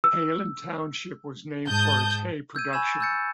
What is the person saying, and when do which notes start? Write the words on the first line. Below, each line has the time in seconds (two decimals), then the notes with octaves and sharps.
Hayland Township was named for its hay production.
0.04 E6
1.67 G#2 A5 D#6 G6
2.55 E6 G6 G#6 D#7
2.73 G#5 B5 C#6 E6 G#6 E7
2.87 A6
3.00 E6 F#6 G6 A6 C#7